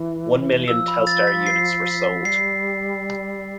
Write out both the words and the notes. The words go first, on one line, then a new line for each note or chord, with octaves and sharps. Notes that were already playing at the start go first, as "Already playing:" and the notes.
One million Telstar units were sold.
Already playing: E3
F3 E6
B5
A6
B6
C7
B6
G3 C7